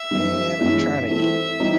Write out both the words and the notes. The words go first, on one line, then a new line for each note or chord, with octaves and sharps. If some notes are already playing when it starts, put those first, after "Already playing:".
"Man, I'm tryna eat
Already playing: E5
F#2 D#3 G3
G2 E3 G#3 C#4
E3 A3 C4 E5
E3 G3 C4 D#4